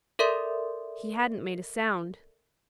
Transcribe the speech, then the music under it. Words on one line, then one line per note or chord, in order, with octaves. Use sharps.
He hadn't made a sound.
A4 A#4 D5 E5 C6